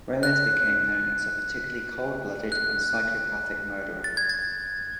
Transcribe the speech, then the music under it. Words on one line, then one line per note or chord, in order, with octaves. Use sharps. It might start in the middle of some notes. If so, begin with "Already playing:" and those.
Reles became known as a particularly cold-blooded and psychopathic murderer.
F#6
F#6
A6
G#6
A6